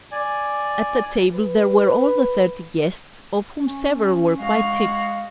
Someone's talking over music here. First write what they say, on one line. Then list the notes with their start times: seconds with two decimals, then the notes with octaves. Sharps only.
At the table there were all the thirty guests, of whom several were quite tipsy.
0.12 D5 G#5
1.30 B4
3.67 C#4
4.40 G#3 F#4 F5